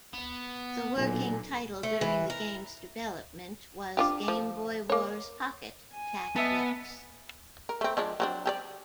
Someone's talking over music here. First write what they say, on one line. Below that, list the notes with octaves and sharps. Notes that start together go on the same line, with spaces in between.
The working title during the game's development was "Game Boy Wars Pocket Tactics".
B3
B1 A#2 D3 G#5
A3
E3
A#4
D4 F4 G4
F3
A#3 C#5
G#5
B3 D#5 E5 A5
A#4
A3 C4
F3 G#3 D4
F#3 C4 D4
G4 G#4 D5